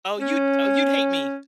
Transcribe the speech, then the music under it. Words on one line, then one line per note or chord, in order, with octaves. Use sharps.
oh, you'd oh, you'd hate me.
C#4